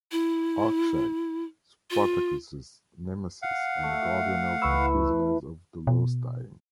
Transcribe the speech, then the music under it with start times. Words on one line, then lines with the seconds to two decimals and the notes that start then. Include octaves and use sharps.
Arkshag: Spartakus' nemesis and guardian of the Prisoners of the Lost Time.
0.12 E4
1.91 F4
3.42 F5 F#5
3.83 A3 E5
4.62 C#2 E3 E4 B4 C#6 E6
5.87 B2